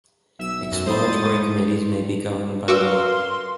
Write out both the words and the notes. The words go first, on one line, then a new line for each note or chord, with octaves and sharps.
Exploratory committees may be governed by law.
B1 E5 E6
F#2
G#2 C5 D#6 A6
F#4 A#4 B4 F5 C6 D6 E6